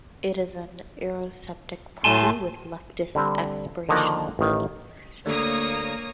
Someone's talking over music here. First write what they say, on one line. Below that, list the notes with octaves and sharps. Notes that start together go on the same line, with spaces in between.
It is an eurosceptic party with leftist aspirations.
A2 A3 G#5 A5 C6
D3 G3 C4
D3 D#3 F3 A#3 F#4
A1 D#3
D2 A#3 C#5 D#6